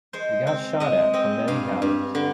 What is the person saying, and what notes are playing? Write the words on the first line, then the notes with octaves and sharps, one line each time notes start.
We get shot at from many houses.
G#3 C5
C4
G#3 D#5
C4 D#5
G2 F5
G2
D3